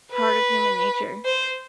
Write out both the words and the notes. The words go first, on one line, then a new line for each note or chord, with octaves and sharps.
part of human nature,
B4
C5